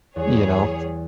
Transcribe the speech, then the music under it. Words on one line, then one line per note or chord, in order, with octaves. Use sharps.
you know?
E2 G3 G#4 C#5